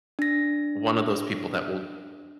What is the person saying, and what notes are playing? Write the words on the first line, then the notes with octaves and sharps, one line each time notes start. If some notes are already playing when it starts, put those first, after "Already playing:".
one of those people that will
D4 A#6